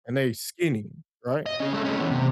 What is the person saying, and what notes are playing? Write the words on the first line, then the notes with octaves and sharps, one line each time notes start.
and they skinny, right?
D#5
C#4 G#4
G#3 A4
A3 C#4
E3 B3
C3